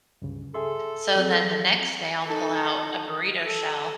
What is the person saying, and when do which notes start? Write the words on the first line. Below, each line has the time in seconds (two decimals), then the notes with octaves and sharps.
So then the next day, I'll pull out a burrito shell,
0.22 C#2 G2 C#3
0.54 G#4 A4 E5 C6
1.16 F#3 C4 G#4
2.26 D#4 A4
3.45 A4